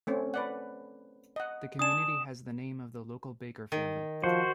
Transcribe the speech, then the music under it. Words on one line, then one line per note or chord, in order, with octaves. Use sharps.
The community has the name of the local Baker family.
A3 C4 C#4
B4 D5 F#5
D#5 F#5
D4 G#5 A5 D#6 E7
D#3
F3 F#4 C5